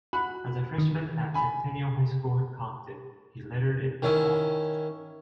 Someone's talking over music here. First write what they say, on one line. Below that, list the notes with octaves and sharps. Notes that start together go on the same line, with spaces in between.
As a freshman at Centennial High School in Compton, he lettered in football.
F#4 B5 F#6
D#3
G#5 B5
D#3 C#4 E4